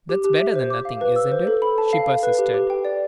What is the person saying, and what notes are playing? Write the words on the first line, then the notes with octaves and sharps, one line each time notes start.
"That's better than nothing, isn't it?" she persisted.
G4
G4
E5
C5
D6
F5
B4
E6
C5
A4
B5
A5
F5
F5
B4
G4
G4
G5
D5